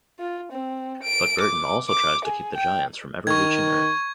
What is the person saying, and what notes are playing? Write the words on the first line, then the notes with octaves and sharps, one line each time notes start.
But Burton also tries to keep the Giants from ever reaching Earth.
F4
C4
D7
D6
D6
G#4
G5
D#3 C#6 G#6